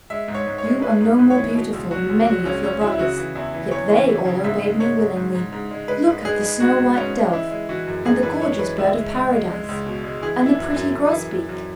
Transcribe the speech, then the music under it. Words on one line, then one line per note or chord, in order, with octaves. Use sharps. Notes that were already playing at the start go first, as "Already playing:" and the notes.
You are no more beautiful than many of your brothers, yet they all obeyed me willingly. Look at the snow-white Dove, and the gorgeous Bird of Paradise, and the pretty Grosbeak.
G#3 E5
G#2
C#5
G#2
C#5
G#3
G#3 B4
G#2
G#2
C#5
E3
B2
C#2
F#3 F#4
C#2
F#3 F#4
C#2 C#4
C#2 C#4
F#3 E4
E4
C#3 F#4
E3
E2 E4
E3
E2 C#5
E3
E3
C#3
G#2 E5
G#3
G#2 C#5
G#2
G#2
G#2
G#2
G#3
G#3 B4
G#2
G#3 G#4
G#3
G#2 F#4
G#2
G#2 C#4
G#3
E3 E4
G#3
E3 F#4
F#2
F#2 G#4
E3 B4
G#3 C#5
E3 B4
C#2 E4
G#3
C#2
G#3
G#3
C#2
B2
G#3
E3 G#4
E3
E4
F#2
E4
F#2
F#2
E3
F#2
F#2